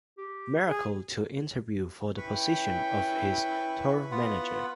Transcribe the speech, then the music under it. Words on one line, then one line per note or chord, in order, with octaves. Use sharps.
Miracle to interview for the position of his tour manager.
G4
G#4
C#4 E4 B4 G5 B5 C#6
B3 F4 F#5